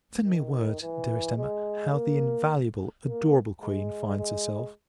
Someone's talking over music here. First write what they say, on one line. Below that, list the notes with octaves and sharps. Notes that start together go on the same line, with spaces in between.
Send me word, Dearest Emma! how the invaluable, adorable Queen, finds herself.
D#3
E3
G#3
A#3
A#3
G#3
G#3